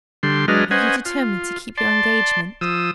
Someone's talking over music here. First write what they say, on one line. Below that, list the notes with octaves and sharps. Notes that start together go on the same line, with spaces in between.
"Are you determined to keep your engagement?"
D3 G3 C6
F#3 G#3 D4 B4 D#5 F6
C#4 B4 C5 D#5 F#5 G#5
F4
D5 A5 C6
F3 D#6 E6